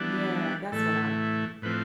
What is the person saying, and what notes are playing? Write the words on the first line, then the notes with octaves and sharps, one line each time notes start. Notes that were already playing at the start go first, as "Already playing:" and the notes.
Yeah, that's what I like.
Already playing: E3 G3 B3 D4
A2 E3 A3 A4
A2 F3 C4 B4